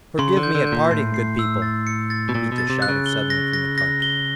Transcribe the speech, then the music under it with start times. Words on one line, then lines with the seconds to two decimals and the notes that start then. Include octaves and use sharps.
"Forgive me at parting, good people!" Mitya shouted suddenly from the cart.
0.19 C#3 C6
0.37 D3
0.43 G6
0.55 D3
0.67 G6
0.72 A#2
0.91 A2 C7
1.14 C7
1.39 E6
1.62 A6
1.87 C#7
2.10 A6
2.29 B2
2.34 A#2 A6
2.52 B2
2.58 A6
2.70 C3
2.82 F#6
2.89 C#3
3.06 G7
3.30 A#6
3.53 A#6
3.78 A#6
4.02 G7